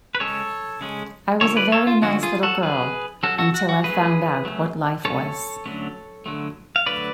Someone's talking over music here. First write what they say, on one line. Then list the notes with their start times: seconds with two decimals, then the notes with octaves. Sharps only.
I was a very nice little girl, until I found out what life was.
0.15 B4
0.20 C#3 G#3 C#4 A4 C#5
0.81 C#3 G#3 C#4
1.41 D3 F3 A3 C#4 A4 C#5
1.57 B4 D5
1.72 A4 C#5
1.87 F4
2.02 D3 F3 A3 C#4 F#4
2.23 F4 G#4
2.43 F#4 A4
2.63 F#3 C#4 G#4 B4
3.23 F#3 C#4 F#4 A4
3.38 F#4 A4
3.54 F#4
3.69 F#4
3.84 F#3 A3 C#4 G#4 B4
4.45 F#3 A3 C#4
5.05 D3 F#3 A3 C#4 A4 C#5
5.66 D3 F#3 A3 C#4
6.26 D3 F#3 A3
6.76 F5
6.86 D3 F#3 A3 B4 D5